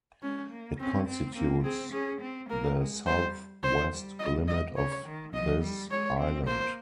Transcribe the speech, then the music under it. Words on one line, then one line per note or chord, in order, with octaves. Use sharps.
It constitutes the southwest limit of this island.
G#3 C#4
A#3
C4 C#4
C4
A#3 C4
C4 G#4
C#4 G#4
C4
A#3 A#4
G#3
G3 C5
C5
G3
D#5
D#5
C#3 C#5
D#3
F3 D#5
G3
G#3 C#5
C4
A#3 C5